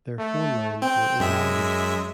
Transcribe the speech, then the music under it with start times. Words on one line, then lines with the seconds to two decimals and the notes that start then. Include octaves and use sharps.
Their phone lines were overloaded.
0.19 A3
0.82 C4 G5
1.20 F#2 G#3 E5